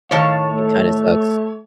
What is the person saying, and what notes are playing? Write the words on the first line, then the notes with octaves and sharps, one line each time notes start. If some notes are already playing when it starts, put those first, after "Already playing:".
it kinda sucks,
A2 D#3 C#5 F5 A5
A3